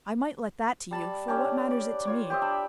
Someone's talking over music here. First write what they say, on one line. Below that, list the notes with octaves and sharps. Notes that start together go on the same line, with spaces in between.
I might let that to you, for what matters it to me?
G3 A5 B5
C#4 D4 G4
D5
F4 C#5 D5
G4 C5 D#5 E5
D4 E5 B5